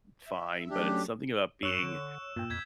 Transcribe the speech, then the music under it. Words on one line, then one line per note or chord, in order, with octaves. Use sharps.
fine, but it's something about being
E5
F#3 A3 C#4 D4 G4
F#2 C#5 C#6 E6 F#6 E7
D3
G2 A#2 G5
F2 G6 G#6 B6